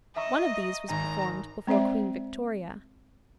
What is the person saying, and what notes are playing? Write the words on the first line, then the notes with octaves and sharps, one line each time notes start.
One of these was performed before Queen Victoria.
D#5 E5 A#5 C#6
G#1 A#5
G#3 C4 C5 D5 E5